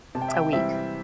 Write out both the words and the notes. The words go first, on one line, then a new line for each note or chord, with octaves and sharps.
A week.
C3 A5
G5
E5
G5
E3 G3 C4 E5